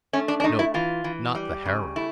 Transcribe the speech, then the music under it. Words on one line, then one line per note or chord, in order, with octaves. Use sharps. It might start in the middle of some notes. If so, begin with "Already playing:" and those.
Nope, not the harem.
A3 C#4
D4
D4
A3 D#4
E4
E3 F4
E3
G3
C#3
A3 E4